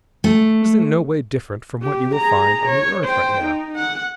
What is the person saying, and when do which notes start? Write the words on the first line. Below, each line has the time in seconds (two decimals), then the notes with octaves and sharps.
It was in no way different from what you will find on the earth right now.
0.24 A3
1.82 G4
2.15 G#4 A#5
2.66 C#5
3.05 C5 G5
3.44 D#4
3.76 F#5